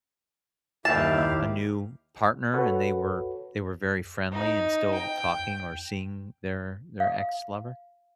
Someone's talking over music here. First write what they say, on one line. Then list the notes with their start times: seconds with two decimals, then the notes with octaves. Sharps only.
uh, a new partner and they were they were very friendly and still talking or seeing their their ex-lover?
0.85 D#2 E4 G4 F5 A5
2.54 F#4 A4 B4 C#5
4.32 D#4
4.94 G5
7.00 F5